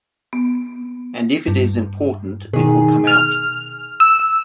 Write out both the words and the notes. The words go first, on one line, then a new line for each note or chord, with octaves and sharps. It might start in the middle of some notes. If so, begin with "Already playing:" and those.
And if it is important it will come out.
B3
G2
B2 D#3 G#4
F6
E6